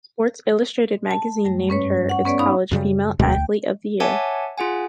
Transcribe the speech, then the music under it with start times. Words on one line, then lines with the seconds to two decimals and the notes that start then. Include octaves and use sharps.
"Sports Illustrated" magazine named her its college Female Athlete of the Year.
1.11 A5
1.45 F#2 G3 A3
1.69 G2 C#4 B4 C#5
2.09 F#5 C#6
2.25 B3 C#4 G#4 B4 C#5 D5
2.39 D#4 F5 B5 D#6
2.72 F#2 C#3 G3
3.19 E1 D2 B2 G#3 G5
4.00 C#5 E5 F#5 G#5 A5 D6
4.58 F4 G#4 F#5 G#5